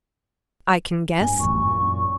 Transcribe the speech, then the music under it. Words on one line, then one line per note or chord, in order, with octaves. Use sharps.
"I can guess."
G2 G#5
A1 F#2 C#6
F#2 A#2